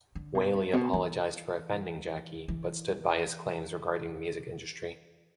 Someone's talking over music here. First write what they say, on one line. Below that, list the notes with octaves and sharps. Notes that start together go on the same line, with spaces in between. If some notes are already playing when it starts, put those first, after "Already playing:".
Whalley apologised for offending Jackie, but stood by his claims regarding the music industry.
D3
B2
G2
B2
E3
E3